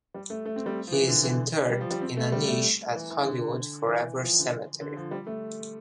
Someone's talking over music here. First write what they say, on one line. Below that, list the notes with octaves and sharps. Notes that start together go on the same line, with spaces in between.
He is interred in a niche at Hollywood Forever Cemetery.
G3
A3
A3
C4
G3
F3
E3
D3
E3
G3
F3
G3
C4
A3
G3
A3
E3
E3
D3
E3
F3
D3
D3
F3
G3
A3